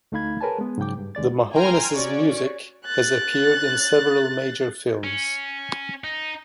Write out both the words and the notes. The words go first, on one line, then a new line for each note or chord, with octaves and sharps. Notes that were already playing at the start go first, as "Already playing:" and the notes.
The Mahones' music has appeared in several major films.
D2 A3 D#4 F5 B5 G#6
G#4 A#4 B4 C#5 G#5 A5
G#3 B3
G#2 C#3 F#3 G5 D6
G2
D#2 G#3 D5 A6
G5 G#5 A#5 C6 F6 G#6
C#4 F#4 C#5 D5
F#6 A6
C#4
D#4